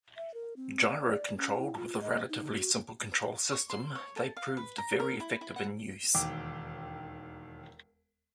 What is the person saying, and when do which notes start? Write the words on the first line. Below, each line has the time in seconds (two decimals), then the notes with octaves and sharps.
Gyro controlled with a relatively simple control system, they proved very effective in use.
0.17 E5
0.34 A#4
0.56 C4
0.90 D5
1.37 C#4
1.58 E4
1.76 F4
2.01 D#5
2.29 D#4
2.51 F#4
3.52 C#6
3.70 C6
3.95 C#5
4.16 A4
4.37 F5
4.57 B4
4.78 A#5
5.00 A#4
5.20 E4
5.41 E4
5.56 F#5
6.15 E1 D#2 G5 D6